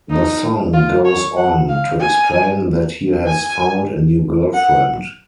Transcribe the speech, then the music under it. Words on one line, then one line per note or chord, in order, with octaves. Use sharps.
The song goes on to explain that he has found a new girlfriend.
D#4
F4
C#5
F#5
F5
G#5
G#5
F#5